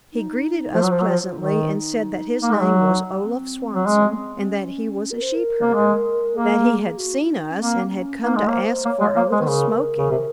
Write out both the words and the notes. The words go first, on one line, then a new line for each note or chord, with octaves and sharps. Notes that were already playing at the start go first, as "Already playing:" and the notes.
He greeted us pleasantly, and said that his name was Olaf Swanson and that he was a sheep-herder; that he had seen us and had come to ask for a little smoking.
D#4
F3 F4 F#4
F#3
F3
F#3
F3
F4
D#3 D#4
D#4
A#3
G#3
F#3
C4
F#3
G#3 C4
C#4
C4
C4
C4
C#4
A#4
C5
A#4
A#3
G#3
A#3 G#4
F#4
D#4
D#4
C#4
A#3 C4
C#4
A#3 D#4
G#3
A#3 C#5
C5
A#3 C#5
G#3
C#5
A#3
G#3 C5
D#3
C#3 A#4
C#3
C3